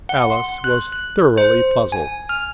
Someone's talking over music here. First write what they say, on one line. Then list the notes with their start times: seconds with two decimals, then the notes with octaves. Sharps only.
Alice was thoroughly puzzled.
0.09 F#5
0.30 C6
0.64 F#6
0.92 F#6
1.38 C5
1.92 G#5
2.29 F6